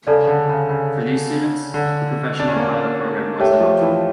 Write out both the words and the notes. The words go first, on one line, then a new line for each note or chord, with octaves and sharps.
For these students, the Professional Pilot program was an option.
C#3 A4 D5 A5
D3
C#3
C#3
D3
D4
C#4
A#3
A3 G4 C#5 E5 G5
F3
E3